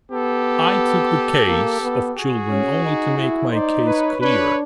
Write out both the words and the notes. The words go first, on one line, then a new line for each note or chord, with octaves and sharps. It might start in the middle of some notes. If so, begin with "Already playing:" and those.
I took the case of children only to make my case clearer.
B3 G4 A4
A#3
B3
F#4 G#4
C#4
D#4
E4
D#4 C5 D5
B4 C#5
D4 B4 C#5